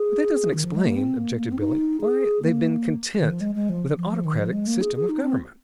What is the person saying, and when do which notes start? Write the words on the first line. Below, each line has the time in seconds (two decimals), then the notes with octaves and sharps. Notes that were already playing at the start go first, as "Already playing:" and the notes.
"But that doesn't explain," objected Billie, "why they've been content with an autocratic system of government."
Already playing: G#4
0.53 D#3
0.64 F3
0.75 G#3
0.85 A#3
0.96 C4
1.17 A#3
1.37 A#3
1.52 C4
1.59 D#4
2.01 G#4
2.43 A#3
3.20 D#3
3.30 F3
3.41 G#3
3.55 G#3
3.70 F3
3.97 F3
4.11 F3
4.25 D#3
4.39 F3
4.53 G#3
4.67 A#3
4.81 G#4
4.96 G#4
5.09 D#4
5.23 C4